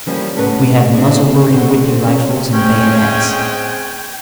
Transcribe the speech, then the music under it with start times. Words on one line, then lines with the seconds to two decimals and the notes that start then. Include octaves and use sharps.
We had muzzle-loading Whitney rifles and bayonets.
0.06 E3 F3 G3 A#3 C#4
0.36 A2 C#3 B3 C#4 A4 B4
0.94 C4 E4 G#4 D5
1.51 D3 F#4 C5
1.85 D2 C4
2.07 C#4
2.53 G#3 C4 C#4 C5 G5 G#5